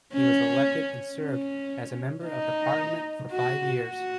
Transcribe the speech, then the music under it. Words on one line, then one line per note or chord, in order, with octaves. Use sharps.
He was elected and served as the Member of Parliament for five years.
C#4
C#4
D#4
F#4
F#4